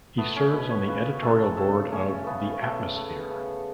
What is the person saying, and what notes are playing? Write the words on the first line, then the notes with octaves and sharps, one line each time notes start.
He serves on the editorial board of the "Atmosphere".
A3 B3
C#4
B2 B4
C#5
C#3 B4
A3 A4
C#3 A4
A3 C#4
C#3 B3
A3
A3
C#3